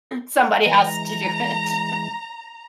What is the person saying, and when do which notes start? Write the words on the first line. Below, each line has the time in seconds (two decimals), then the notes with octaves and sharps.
"Somebody has to do it."
0.66 E3 G#3 A#5